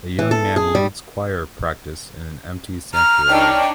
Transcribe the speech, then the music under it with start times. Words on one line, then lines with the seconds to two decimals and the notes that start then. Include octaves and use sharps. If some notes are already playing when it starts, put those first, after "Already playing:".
A young man leads choir practice in an empty sanctuary.
0.19 E3
0.31 A4
0.56 G#4
0.75 G3
2.94 A#5 F6
3.29 D4 D#4 C#5 G5